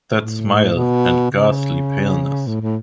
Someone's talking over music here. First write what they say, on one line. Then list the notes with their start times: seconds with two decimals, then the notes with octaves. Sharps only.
That smile, and ghastly paleness!
0.15 A2
0.73 B2
1.31 C#3
2.47 A2
2.61 A2